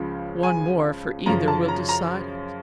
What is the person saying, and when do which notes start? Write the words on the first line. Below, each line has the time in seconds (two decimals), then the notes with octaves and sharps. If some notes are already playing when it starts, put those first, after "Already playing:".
One more for either will decide it.
Already playing: C#2 C#3 F3
0.43 G#5
1.26 F#2 C#3 F3 A#5
1.48 A5
1.68 A#5
1.89 A#5